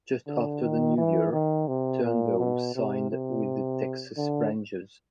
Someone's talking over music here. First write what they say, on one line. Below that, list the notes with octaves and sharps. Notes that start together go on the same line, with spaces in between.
Just after the New Year, Turnbow signed with the Texas Rangers.
D3
D#3
E3
D#3
C3
A#2
B2
C3
C3
D3